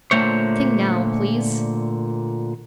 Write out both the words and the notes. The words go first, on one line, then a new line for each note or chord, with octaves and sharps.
'Sing now, please.'
A#2 D3 A3 C5 C#5